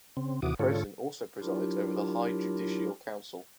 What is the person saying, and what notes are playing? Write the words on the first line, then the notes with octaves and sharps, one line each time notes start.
The president also presides over the High Judicial Council.
C#3 C4
D#2 C3 E3 F#4 D6 D#6
G#2 D3 F4 A4 C#5
F#3 D4 E4 F4 G4 A#4